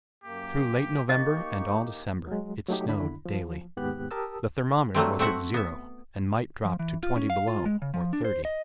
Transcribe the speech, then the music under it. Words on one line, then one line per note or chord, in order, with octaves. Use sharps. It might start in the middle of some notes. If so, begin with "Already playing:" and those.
Through late November and all December it snowed daily; the thermometer was at zero and might drop to twenty below, or thirty.
F#2 A#3 G4
A#3 D#4 G4 D#5 C#6
F#3 G#3
F#3 A3 D#4 G4
D#2 D3 D4 E4 B5
F3
D#2 G#2 B3 G4 F#6
G4 A#4 A5 D#6 E6
F#3 G3 A3 C4
A3 C4 F#4 E5 F#5
B3 E5
F3
E3
F4
C#4
F5
F4
G#3
C#3
F3
D4
C5
D#5